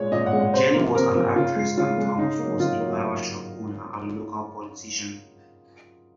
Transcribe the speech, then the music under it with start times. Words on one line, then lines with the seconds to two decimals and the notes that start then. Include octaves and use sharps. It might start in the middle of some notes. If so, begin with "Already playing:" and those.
Jennie was an actress and Thomas was a barbershop owner and local politician.
Already playing: A#2 G#3 C#5
0.12 A#2 D#5
0.26 F#5
0.33 G#3
0.40 F#5
0.54 C3 C5
0.74 F3 A#3
0.95 C3 A#4
1.15 F3 A#3
1.36 C#3 F4
1.56 G#3
1.77 C#3 F4
1.98 G#3
2.18 C#3 D#4
2.39 F#3 A#3
2.59 C#3 F4
2.80 F#3 A#3